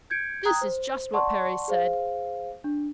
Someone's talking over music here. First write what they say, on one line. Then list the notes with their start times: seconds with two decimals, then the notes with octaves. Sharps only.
This is just what Perry said.
0.10 G6 G#6 C#7 D7
0.45 G5 A#5 D#6 F#6 G#6
0.61 C5
1.13 D5 F#5 A5 C6 C#6
1.68 G#4 C5 F5
2.64 D4